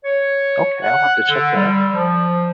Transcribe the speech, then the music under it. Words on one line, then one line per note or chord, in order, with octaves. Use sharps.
Okay, I'll have to check that out.
C#5
F#5
D3
G3
F3